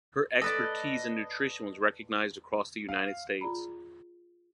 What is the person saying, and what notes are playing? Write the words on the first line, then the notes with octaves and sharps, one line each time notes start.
Her expertise in nutrition was recognized across the United States.
A4 B4 D5 D#5
F5
F4 G#4 D5 A#5 B5